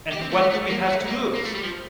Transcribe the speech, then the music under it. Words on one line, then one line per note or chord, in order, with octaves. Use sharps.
And what do we have to lose?
G4
C4
A3
G3
A3
A#3
A3
A#3
A#3
A3
G3
F3